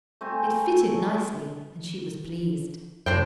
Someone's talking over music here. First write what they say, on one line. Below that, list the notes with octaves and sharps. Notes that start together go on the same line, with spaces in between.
It fitted nicely, and she was pleased.
A3 C4 G#5 B5
F1 F#2 D4 C5 G5